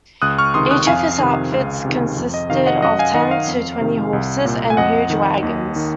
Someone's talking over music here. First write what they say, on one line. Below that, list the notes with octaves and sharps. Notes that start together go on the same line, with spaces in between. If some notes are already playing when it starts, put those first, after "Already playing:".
Each of his outfits consisted of ten to twenty horses and huge wagons.
C#2 D#6 F#6
C#6 F6
C3 D#3 C6 D#6
D#6 F#6
F2 F5 G#5
C3 D#3
C#2
C3 D#3
F2
D#5
C3 D#3 F5
D#5 F#5
F#2 D#5 F#5
F5 G#5
D#3 D#5 F#5
F5
F2
C3 D#3
C2
A#2
G#5
F2 D#5 F#5
D#3
D#2
D#3